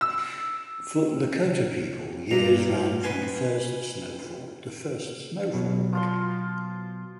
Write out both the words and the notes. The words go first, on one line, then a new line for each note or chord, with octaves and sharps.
For Lakota people, years ran from first snow fall to first snowfall.
E6
G2 A#5
B4 G#5 C6
B2 F#3
F3 F4 C6